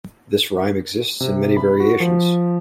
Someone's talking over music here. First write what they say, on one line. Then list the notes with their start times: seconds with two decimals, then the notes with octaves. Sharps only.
This rhyme exists in many variations.
1.21 C3
1.57 B5
1.80 F#4
2.00 F3